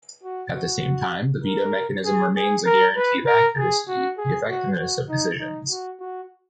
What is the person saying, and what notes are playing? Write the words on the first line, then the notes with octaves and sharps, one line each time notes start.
At the same time, the veto mechanism remains a guarantee of accuracy, the effectiveness of decisions.
F#4
F#4
A#4
G#4
G#4
A#4
B4
A#4
G#4
F#4
G#4
F#4
F#4
D#4
D#4
F#4
F#4